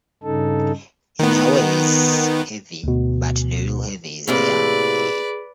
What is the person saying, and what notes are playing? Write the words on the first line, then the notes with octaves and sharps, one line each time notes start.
In a way he's a 'heavy' but the real heavy is the Army.
G2 C#3 D#4 A4
D#3 B3
D2 B2
A2 C3 A#3 G#4 B4 D5